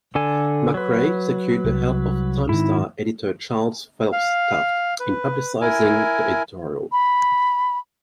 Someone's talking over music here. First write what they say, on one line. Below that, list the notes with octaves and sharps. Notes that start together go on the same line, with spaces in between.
McRae secured the help of "Times-Star" editor Charles Phelps Taft in publicizing the editorial.
D3 A4 G#5
F#3 B4
C2
G#2 D#3 E4
F5
B4
E4 A#4 G#5
B5